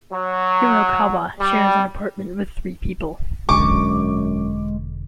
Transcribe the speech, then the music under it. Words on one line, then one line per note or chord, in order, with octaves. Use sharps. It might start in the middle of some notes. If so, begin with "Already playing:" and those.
Hirokawa shares an apartment with three people.
F#3
G3
E1 F#2 D3 G#3 C#6 D6